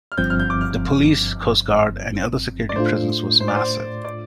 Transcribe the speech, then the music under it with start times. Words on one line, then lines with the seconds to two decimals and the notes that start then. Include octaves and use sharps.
The police, Coast Guard, and other security presence was massive.
0.12 F6
0.18 G1 G2 F3 C4 G6
0.30 F6
0.40 G6
0.50 D6
0.61 F6
2.69 D5
2.75 A2 A3 D4 F4 C5
3.40 C5
3.48 D5
3.56 C5
4.05 D5